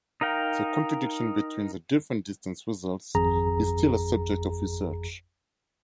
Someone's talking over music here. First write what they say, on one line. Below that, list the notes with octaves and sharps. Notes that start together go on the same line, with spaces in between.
The contradiction between the different distance results is still a subject of research.
D#4 A#4 F5 G5
G#1 F2 G#4 A#5